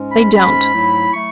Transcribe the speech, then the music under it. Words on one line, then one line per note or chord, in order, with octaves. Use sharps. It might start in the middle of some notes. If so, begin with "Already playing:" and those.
They don't.
Already playing: G#2 G#3 C#4
B5
G#2 G#3 C#4 B5
G#2 F#3 A3 E4
F#3 A3 E4 C#6